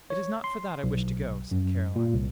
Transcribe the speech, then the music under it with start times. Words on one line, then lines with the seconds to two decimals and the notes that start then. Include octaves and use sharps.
"It is not for that I wish to go," said Caroline.
0.10 C#5
0.44 C6
0.83 B1
1.51 F#2
1.96 A#2
2.14 C2